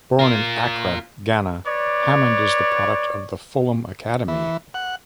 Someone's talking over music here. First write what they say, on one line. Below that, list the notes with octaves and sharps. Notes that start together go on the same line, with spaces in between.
Born in Accra, Ghana, Hammond is a product of the Fulham Academy.
F4 A#4
B4 C#5 D5
E3
F#5